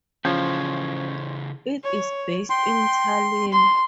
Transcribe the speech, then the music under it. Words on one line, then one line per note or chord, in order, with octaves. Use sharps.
It is based in Tallinn.
C#3 E3 F3 C#4 G#4 C5 C#5 G5
C#5
G5 C6
C6